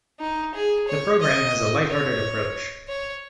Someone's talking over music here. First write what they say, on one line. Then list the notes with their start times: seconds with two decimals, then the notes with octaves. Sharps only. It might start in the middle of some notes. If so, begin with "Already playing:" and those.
The programme has a light-hearted approach.
0.20 D#4
0.55 G#4
0.88 C#5
1.21 D#5
1.88 C#5
2.88 C#5